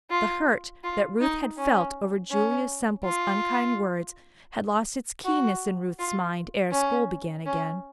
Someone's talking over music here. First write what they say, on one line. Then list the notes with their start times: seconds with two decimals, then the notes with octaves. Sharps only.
The hurt that Ruth had felt over Julia Semple's unkind words had lost its keenness in Ruth's mind ere school began again.
0.10 F4
0.84 F4
1.21 D#4
1.57 C#4
2.31 C#4
3.04 F4
5.24 F#4
5.99 F4
6.72 C#4
7.46 C#4